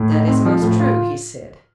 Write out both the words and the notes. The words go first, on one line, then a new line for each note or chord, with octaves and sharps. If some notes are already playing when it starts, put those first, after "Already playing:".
That is most true, he said.
Already playing: A2
D#4
C4
F3
A2
F4